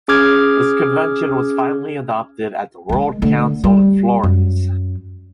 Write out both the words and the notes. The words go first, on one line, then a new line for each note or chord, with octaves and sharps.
This Convention was finally adopted at the World Council in Florence.
C#4 G#4 D6 F6 G#6
D#3 G#3
D3 A3
G3
F#2